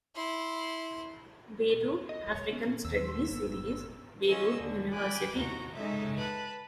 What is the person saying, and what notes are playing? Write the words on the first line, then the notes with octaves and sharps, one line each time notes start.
Beirut African Studies Series, Beirut University.
E4 C6
D#5
C#5
B3 C#4
D#2 E6
G1 B3
C#4 F4 G#4 D#5 E6
D#2 D3
G5 G#5 B5 D6 F#6
D#2 A2 F#4 A#5
G#3 C#4 D#4 A4 E5
B4 A5